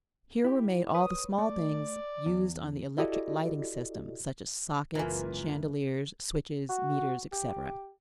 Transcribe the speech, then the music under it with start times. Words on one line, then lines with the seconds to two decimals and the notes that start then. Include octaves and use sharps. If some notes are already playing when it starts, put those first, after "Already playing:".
Here were made all the small things used on the electric-lighting system, such as sockets, chandeliers, switches, meters, etc.
0.44 E4 G4
0.95 B4 C#5 D#6
1.38 A3 D5
2.26 E2
2.98 E4 F#4 G4 A4 D5 D#5
4.95 F#1 C#2 E3 A#3 F4 A#4 B4 G#5
6.69 F#4
7.32 G4